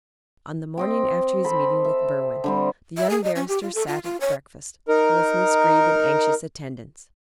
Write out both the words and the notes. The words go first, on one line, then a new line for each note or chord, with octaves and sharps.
On the morning after his meeting with Berwin, the young barrister sat at breakfast, with Miss Greeb in anxious attendance.
C4 D#5 G5
C4 A4 B5
E5
D3 G3 C4
E5
G#4
D#5
C#4
G4
F4
A4
F4
F4
C#5
D#4 A#4